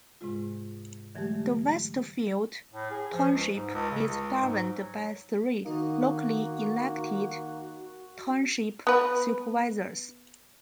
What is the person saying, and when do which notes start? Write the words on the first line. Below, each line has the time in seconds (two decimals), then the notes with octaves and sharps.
The Westfield Township is governed by three, locally elected Township Supervisors.
0.21 G#2 C3 G#3 F4
1.15 D3 E3 F#3 G#3 A3 G4
2.73 A2
2.91 G#4
3.13 F3
3.31 C#2
3.54 G#2
3.74 C#2
3.91 C#3
4.07 C#2
4.41 G#2
4.79 F#3
5.66 D#3 A#3 D#4 F#4
8.87 B3 B4